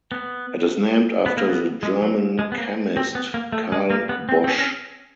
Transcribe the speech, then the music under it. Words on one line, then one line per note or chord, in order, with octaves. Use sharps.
It is named after the German chemist Carl Bosch.
B3
B3
A#3
B3
G#3
F#3
G#3
B3
A#3
C4
B3
A#3
A3
G#3
A#3
B3
C4
C4
C#4
C#4